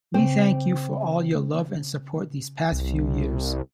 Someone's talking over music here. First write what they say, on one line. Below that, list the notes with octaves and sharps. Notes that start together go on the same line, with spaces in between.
We thank you for all your love and support these past few years.
C#3 C4 D6
C2